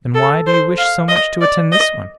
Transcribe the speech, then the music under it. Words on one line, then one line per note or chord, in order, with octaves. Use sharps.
"Then why do you wish so much to attend this one?"
A4
C5
F5
D#5
D5
D#5